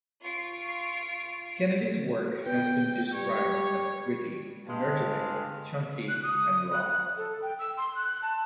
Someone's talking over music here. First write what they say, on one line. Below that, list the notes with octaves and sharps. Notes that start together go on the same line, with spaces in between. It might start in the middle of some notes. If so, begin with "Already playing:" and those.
Kennedy's work has been described as gritty, energetic, chunky and raw.
F4 C#6 C7 D7
B3 G5
G3 C#5
G2 G#3 F5
F#6
D#6
F#6
A4
G5
E6
C6
F#6
A5